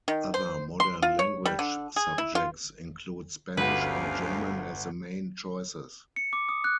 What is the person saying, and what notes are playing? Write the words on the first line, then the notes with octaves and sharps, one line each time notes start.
Other modern language subjects include Spanish and German as the main choices.
D#3
C5
C6
F4
C#5
G3
D3
G#4
E4
F4
G1 D2 C#4 G4 B4 F5 F#5
C#7
D6
D#6
F#6